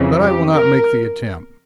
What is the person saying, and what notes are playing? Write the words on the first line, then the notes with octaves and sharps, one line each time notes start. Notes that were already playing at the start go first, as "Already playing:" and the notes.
But I will not make the attempt.
Already playing: F2 C#3 E3
G4
A#4